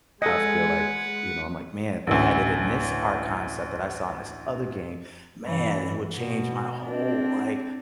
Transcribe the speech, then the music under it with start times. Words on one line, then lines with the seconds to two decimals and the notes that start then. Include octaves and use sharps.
I feel like you know, I'm like, "Man, if they had it in this art concept that I saw in this other game, man, it would change my whole, like"
0.22 G#3 A4 B4 D#5 F#5 G#5
2.07 A1 D2
5.43 G2 E3
6.15 B2
6.86 C4 D4